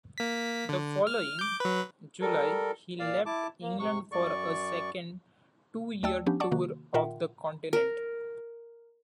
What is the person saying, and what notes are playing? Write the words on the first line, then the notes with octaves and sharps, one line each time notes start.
The following July he left England for a second, two-year tour of the continent.
A#3 B6
D3
F6
D6 G6
F#3 B4
G3 A4 A#4
A#2 D5 F5
E4 A5 D6
A#3
C3 C#6
F#2 D5 C#6
D#2 A3 D5 G5 A5 E6
F3 B3 C#4 D4 G4
D5 F#5 A5 C#6 D6
C3 D#3 A#3 F#4
A#2 F4 A#4 E5 F#5 G5
A#4